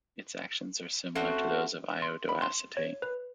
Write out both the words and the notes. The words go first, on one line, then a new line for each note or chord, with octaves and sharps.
Its actions are similar to those of iodoacetate.
A3 C4 C#4 F#4
C6
B5
C6
C#5
B4